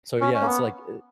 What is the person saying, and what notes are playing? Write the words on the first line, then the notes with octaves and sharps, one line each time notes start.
so, yeah, it's, like, eh,
C#4
C#4
A#3
B3